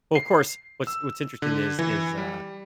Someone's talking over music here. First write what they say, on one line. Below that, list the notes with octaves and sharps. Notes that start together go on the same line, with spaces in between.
Well, of course, what's what's interesting is is, uh,
C7
E6
D3
E3
G3